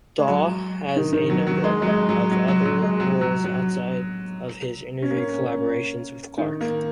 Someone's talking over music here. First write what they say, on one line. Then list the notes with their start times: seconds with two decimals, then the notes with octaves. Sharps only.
Dawe has a number of other roles outside of his interview collaborations with Clarke.
0.18 G#3
0.28 F#3
0.96 D#3
1.13 D#3
1.30 F#3
1.47 F#3
1.64 G#3
1.82 F#3
1.87 G#3
2.09 F#3
2.31 F#3
2.48 F#3
2.65 F#3
2.82 G#3
3.00 F#3
3.21 F#3
3.44 F#3
5.02 C#4
5.11 A#3
5.17 C#4
6.38 D#3
6.61 A#3